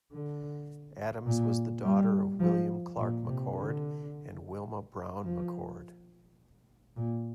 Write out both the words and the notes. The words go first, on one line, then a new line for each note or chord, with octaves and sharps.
Adams was the daughter of William Clark McCord and Wilmah Brown McCord.
D3
A#2
G3
F3
A#2
C3
D3
F3
A#2